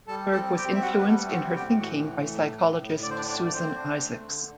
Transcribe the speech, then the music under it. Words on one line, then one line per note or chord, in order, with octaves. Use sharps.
Berg was influenced in her thinking by psychologist Susan Isaacs.
G3 A4 A5
C4 A4 A5
C4 G4 G5
E5
G3 F#4 F#5
B4
G3 A3 A4
E5
C4 F#4 F#5
A2 G4 G5
E3 F#4 F#5
A3
A2
A2
A2
D3 D5
C5
D4 D5
A3 D4 D5
D5
D3 C4 C5
D4
A3
D3